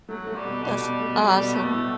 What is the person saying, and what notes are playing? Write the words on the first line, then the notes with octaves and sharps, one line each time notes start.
That's awesome.
F#3 A3
A3
G3
B2
B2 G3
B2
A3
B2 G3
B2 G3
B2 A3
A2